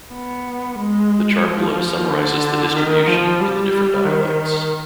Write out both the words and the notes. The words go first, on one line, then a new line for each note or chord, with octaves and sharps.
The chart below summarizes the distribution in the different dialects.
B3
G#3
F3
D3
D#3
F3
G3
D#3